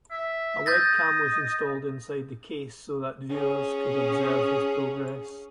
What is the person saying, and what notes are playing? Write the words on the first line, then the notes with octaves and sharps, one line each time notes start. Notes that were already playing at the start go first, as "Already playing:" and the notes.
A webcam was installed inside the case so that viewers could observe his progress.
E5
D#5 G6 A6 A#6
C#4 G#4